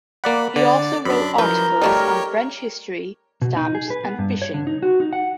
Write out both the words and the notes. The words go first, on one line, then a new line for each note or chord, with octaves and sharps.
He also wrote articles on French history, stamps, and fishing.
A#3 D5 F#5 B5
D3 D5
F#2 D4 B5
E3 F3 A#4 B4 G6
G3 A3 D#4 G4 C#5
B2
D#4
G#4
B4
B3
G2
C#5
D3
D#4
F#4
D#4
F#5